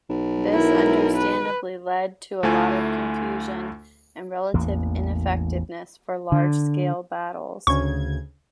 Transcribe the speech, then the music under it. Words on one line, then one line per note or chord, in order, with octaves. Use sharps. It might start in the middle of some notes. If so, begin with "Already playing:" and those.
This understandably led to a lot of confusion and relative ineffectiveness for large-scale battles.
B1
E4 A#4
B4
D2 A3 E4 F4 G#5
A1 E2 A#3
D3
D2 C#3 C#6 G#6